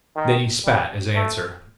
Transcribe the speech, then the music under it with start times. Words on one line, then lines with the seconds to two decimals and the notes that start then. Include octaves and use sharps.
Then he spat, as answer.
0.16 D#3
0.65 G3
1.15 A3